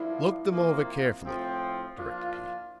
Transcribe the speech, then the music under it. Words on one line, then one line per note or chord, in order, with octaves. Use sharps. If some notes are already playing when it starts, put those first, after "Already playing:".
"Look them over carefully," directed he.
Already playing: G2 F3 A#3 D4 E4
C3 F3 A#3
A2 F3 C4
F3 A#3 D4 F4